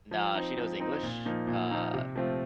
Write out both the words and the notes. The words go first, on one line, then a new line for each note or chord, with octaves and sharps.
nah, she knows English. Uh,
F3
C4 D#4
F3
C4 D#4
A#2
F3 A#3 D#4
A#2
F3 A#3 D#4
C3
F3 A3 C4 F4